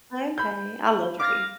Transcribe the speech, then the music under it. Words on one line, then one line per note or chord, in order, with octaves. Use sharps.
Okay. I love to read.
B5 G6
F5 D6 A#6